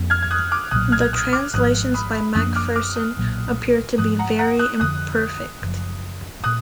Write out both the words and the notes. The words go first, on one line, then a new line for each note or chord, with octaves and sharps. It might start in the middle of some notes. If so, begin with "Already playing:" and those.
The translations by Macpherson appear to be very imperfect.
Already playing: F2 F3 A#3 D4
F6 G#6
G#6
D#6 F#6
D6 F6
B1 A#2 F#3 D#6 F#6
F6 G#6
D#6 F#6
D6 F6
G#1 G#2 F3 D#6 F#6
B5 D#6
F#2 F3 A#3 D4 D#6 F#6
D6 F6
D6 F6
D#6 F#6
B1 A#2 F#3
G#2 F3 B3 D#6 F#6
F#5 A#5
F#5 A#5
D#6 F#6
F2 D3 F3 D#6 F#6
F#1 F#2 F3
A#2 D#6 F#6